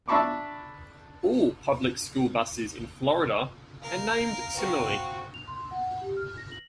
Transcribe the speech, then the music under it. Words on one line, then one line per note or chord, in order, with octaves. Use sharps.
All public school buses in Florida are named similarly.
D4 E5 A5 B5 C#6 D6
A#4 F5
C4 F#4
F7
C6
F#5
G4
F6
A#6
F#7